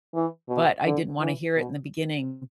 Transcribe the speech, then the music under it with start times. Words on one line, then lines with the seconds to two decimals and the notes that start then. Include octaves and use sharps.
but I didn't wanna hear it in the beginning
0.15 E3
0.49 B2
0.86 D3
1.20 E3
1.57 B2